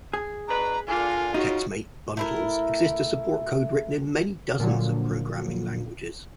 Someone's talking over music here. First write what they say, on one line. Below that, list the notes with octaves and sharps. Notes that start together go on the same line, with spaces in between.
TextMate bundles exist to support code written in many dozens of programming languages.
G#4
B2 D4 B4 A#5
A#2 D3 A#3 F4 G#5
C#3 D#4 F#4
A3 E4 A#4
A#2 D3 F3 F#3